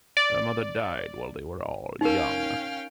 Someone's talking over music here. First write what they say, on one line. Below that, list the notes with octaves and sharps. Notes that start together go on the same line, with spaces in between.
Their mother died while they were all young.
D5
C#4 D#4 A#4 F5 G5